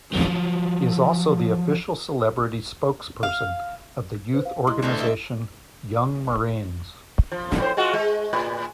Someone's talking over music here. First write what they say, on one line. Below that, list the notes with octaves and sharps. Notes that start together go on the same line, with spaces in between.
He is also the official celebrity spokesperson of the youth organization, "Young Marines".
F3 F#3
F5
B4 C5
F5
G#3 E4 C6
G#3 A3 D4 D#4 C#5
C5 D#5 E5
F3
F2 A2 C5
G#3 F4 F#4
G#3
A2